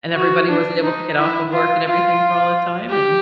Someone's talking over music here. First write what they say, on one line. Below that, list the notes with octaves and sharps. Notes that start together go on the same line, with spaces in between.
And everybody wasn't able to get off of work and everything for all the time, and
F#4
D4
D#4
E4
F4
F4
G4